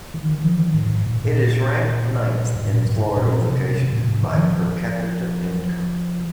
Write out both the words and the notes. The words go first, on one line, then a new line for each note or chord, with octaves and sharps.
It is ranked ninth in Florida locations by per capita income.
D#3
D#3
F3
D#3
G#2
G#2
A#2
A#2
G#2
A#2
G#2
G#2
A#2
C3
C3
A#2
G#2
D#3
F3